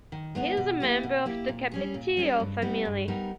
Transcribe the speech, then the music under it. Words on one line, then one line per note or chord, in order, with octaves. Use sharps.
He is a member of the Capetillo family.
D#3
G#3 B3 D#4
B2
A#3 E4 G4
B2
A#3 E4 G4
A#2
G3 C#4 G#4
A#2
G3 C#4 G#4
G2
G3 B3 D#4 A#4
G2
G3 B3 D#4 A#4